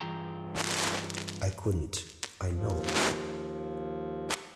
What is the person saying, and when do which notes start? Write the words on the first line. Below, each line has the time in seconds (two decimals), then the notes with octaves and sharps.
I couldn’t, I know.
0.01 G2 E3 F4 G#4 G5 A#5
2.53 D#2 F3